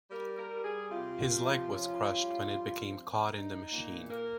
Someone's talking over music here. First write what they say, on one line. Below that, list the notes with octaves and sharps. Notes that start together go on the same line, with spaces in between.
His leg was crushed when it became caught in the machine.
G3 A#4
A#4
G3
G#4
C3 F4
F3
C#4
G3
F3
C4
D#4
A#2
A#3 A#4